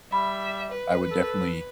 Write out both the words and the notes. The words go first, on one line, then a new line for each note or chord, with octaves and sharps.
I would, definitely,
G3 E5 B5
B4
A4